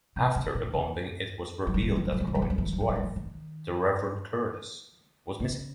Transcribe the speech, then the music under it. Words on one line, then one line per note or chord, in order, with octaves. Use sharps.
After the bombing it was revealed that Croydon's wife, the Reverend Curtis, was missing.
C3
C#3
A#2
C#3
F3
G3
F3
G3
F3
G3
F3
G3
F3
G3
F3
G3
F3
G3
F3
G3
F3
G3
F3
D#3
C#3